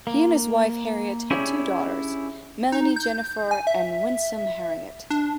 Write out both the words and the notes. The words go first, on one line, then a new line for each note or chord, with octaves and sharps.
He and his wife Harriet have two daughters, Melanie Jennifer and Wynsome Harriet.
A#3
C#4 D4 E4 G4 G#4 C#5
D#4
G6
G#5
E5
D4